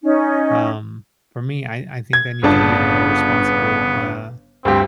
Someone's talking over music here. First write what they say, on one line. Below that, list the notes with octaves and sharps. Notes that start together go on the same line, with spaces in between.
um, for me, I I think I need to be a more responsible, uh,
C#4 D#4
G#6
G1 C#3 B3 D4 A5
D2 G2 C4 G4